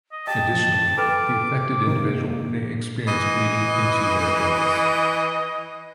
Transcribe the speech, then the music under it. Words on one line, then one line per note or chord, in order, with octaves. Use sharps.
Additionally, the affected individual may experience bleeding into their joints.
D#5
D#5 G5 A5
F3
A4 B4 D6 F6
C3 D#3 A#3
E3 D#5